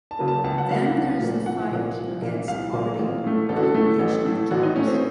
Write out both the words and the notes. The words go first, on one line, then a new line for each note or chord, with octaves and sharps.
Then there is the fight against poverty and the creation of jobs.
A5
C#3 F#3 A#3
A5
C#2 A5
F#5
C#3 F#3 A#3 F5
F#5
C2
A#2 F3 A#3
C2 F#5
A#2 F3 A#3
C2
A#2 F3 A#3
C2 F5
A#2 F3 A#3
A1
A2 A3
A1 A4
F#4
A4
A2 A3
A1
A2 A3
A1 F#4
D#4
A2 A3 C#4
C4